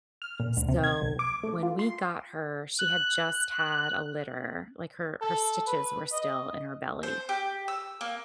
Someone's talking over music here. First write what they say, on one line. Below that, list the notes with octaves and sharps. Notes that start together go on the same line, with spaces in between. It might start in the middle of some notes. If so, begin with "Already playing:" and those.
So, when we got her, she had just had a litter, like her her stitches were still in her belly.
F6
A#2
D2
C3
G#6
B1
D6
A3
F4
C6
F#6
A4
B4
D#5
C5
G4
E6
A#3